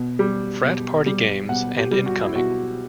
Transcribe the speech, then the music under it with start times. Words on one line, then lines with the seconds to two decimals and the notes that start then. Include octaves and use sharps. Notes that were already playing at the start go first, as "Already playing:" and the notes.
Frat Party Games" and "Incoming!
Already playing: B2
0.19 G3
0.62 B2
1.06 G3
1.49 B2 F#5
1.78 G4
1.91 G3
2.06 F#4
2.25 E4
2.35 B2 F#4